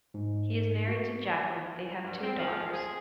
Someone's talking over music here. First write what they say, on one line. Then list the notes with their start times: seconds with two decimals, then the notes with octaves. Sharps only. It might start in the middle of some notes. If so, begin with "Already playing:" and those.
He is married to Jacquelyn; they have two daughters.
0.14 G#2
0.88 F#4
2.02 G2
2.21 C4
2.38 F3
2.72 G#4